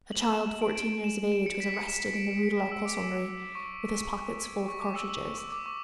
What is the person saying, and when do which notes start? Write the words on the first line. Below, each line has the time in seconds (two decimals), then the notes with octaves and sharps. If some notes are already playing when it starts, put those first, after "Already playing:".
A child fourteen years of age was arrested in the Rue de la Cossonerie, with his pockets full of cartridges.
0.12 F#7
0.20 E7
0.34 E7
0.48 E7
0.62 D7
0.75 D7
1.04 E7
1.32 E7
1.46 C#7
1.60 B6
1.74 C#7
1.87 E7
2.16 D7
2.43 C#7
2.58 B6
2.71 E6
2.85 D6
3.55 C#6
4.68 C#6
4.82 D6
4.96 E6
5.09 E6
5.38 C#6
5.52 D6
5.66 C#6